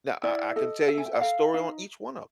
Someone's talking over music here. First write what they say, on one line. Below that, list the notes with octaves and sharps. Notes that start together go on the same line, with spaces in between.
now I I can tell you a story on each one of
E4 D5
A4 D#5
A4 E5
G#5
G5
F#5
A4 F5
D#4 F5